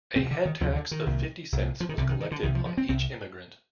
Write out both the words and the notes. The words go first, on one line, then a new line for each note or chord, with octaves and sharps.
A "head tax" of fifty cents was collected on each immigrant.
D2 C3 C4
D3
D#3
D2 C3 F3
D3
D#3
C2 A#2
C2 A#2
F3
D#3
C2 C3 D3
D#3
D#3
D3
C2 C3 D#3
F3
F3
C4
C2 C3 C4